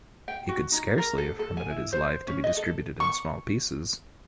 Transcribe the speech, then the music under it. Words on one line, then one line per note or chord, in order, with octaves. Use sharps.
He could scarcely have permitted his life to be distributed in small pieces.
G5
F#4
D#4
A#4
A4
A4
G#5
E4
C5
C#4
D#5
A4
C#6